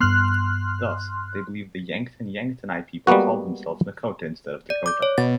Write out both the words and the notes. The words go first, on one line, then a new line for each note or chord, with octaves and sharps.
Thus, they believed the Yankton-Yanktonai people called themselves Nakota instead of Dakota.
G2 B3 C6 F6 F#6
G3 G#3 A#3 B3 F#4
D5
D6 G6
C#5
B2 A6